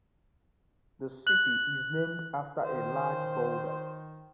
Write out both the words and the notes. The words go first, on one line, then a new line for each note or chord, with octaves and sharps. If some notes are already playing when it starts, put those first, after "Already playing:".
The city is named after a large boulder.
F#6 F#7
D#3 C5